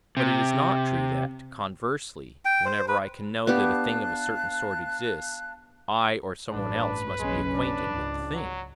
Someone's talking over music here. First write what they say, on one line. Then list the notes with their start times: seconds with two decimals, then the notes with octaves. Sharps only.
But it is not true that, conversely, whenever I can know that a thing of a certain sort exists, I or some one else must be acquainted with the thing.
0.17 C3
2.45 G5
2.65 C5
2.88 B4
3.47 B3 D4 G4 F5 A5 F#6
6.52 A1 G2 D4 B4
7.19 F#1 B1 G#3 C#4
7.55 D4
7.86 C#2 G#2
8.33 F#3